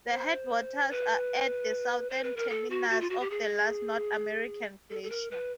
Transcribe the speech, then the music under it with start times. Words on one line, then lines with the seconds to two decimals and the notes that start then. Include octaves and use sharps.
The headwaters are at the southern terminus of the last North American glacier.
0.10 C5
0.90 B4
2.10 C5
2.23 B4
2.36 A#4
2.50 A4
2.70 F#4
2.90 F#4
3.01 F4
3.10 F#4
3.20 G4
3.30 G#4
4.90 A4
5.03 A4
5.10 A#4
5.31 B4